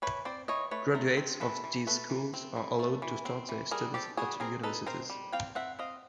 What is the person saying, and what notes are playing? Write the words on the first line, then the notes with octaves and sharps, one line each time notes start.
Graduates of these schools are allowed to start their studies at universities.
E3 B4 C#5
C4 C5 D5
E3 C#5 D#5
A3 B4 C#5
A3 A#4 C5
C4
E3 A4 B4
E3
A3 A4 B4
E3
C4
E3
A3
E3
C4
E3
G3 G#4 A#4
C4 G4 A4
G3 F#4 G#4
C4 G#4 A#4
D#4 A4 B4
C4 A#4 C5
G3
C4 F5 G5
C4 E5 F#5
C4 D#5 F5